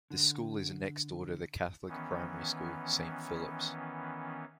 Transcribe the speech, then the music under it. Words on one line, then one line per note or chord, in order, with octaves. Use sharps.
This school is next door to the Catholic primary school, Saint Phillip's.
D3
D#3 E3 B3 C#4